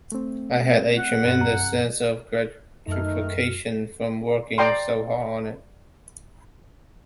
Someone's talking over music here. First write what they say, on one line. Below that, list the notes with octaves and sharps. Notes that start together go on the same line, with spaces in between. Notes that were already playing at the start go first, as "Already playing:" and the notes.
I had a tremendous sense of gratification from working so hard on it.
A3 C4
F#5
G2 C4
C2 F#2 A#5
F#2 D#3 A3 D#4 F6
D5 G5 A#5 C6